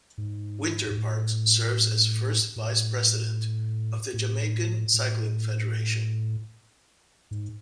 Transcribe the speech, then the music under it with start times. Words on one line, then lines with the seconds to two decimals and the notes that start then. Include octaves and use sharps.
Wynter-Parks serves as first vice-president of the Jamaican Cycling Federation.
0.18 G#2
0.91 G#2
0.97 A2
2.56 A2
4.14 A2
4.94 A2
7.31 G#2